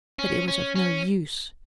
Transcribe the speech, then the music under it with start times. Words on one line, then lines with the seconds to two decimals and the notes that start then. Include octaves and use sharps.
But it was of no use.
0.19 C#4
0.48 C#4
0.75 C#4